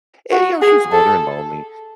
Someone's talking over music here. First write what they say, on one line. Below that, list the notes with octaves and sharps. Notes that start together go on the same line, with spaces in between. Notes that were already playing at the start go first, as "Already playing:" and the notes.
And, you know, she's older and lonely.
F#4
G#4
A4